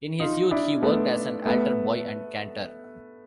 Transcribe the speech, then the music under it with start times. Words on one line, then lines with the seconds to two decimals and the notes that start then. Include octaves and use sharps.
In his youth he worked as an altar boy and cantor.
0.20 D#4 F4
0.51 D4 E4
0.83 A3 B3
1.46 A3 B3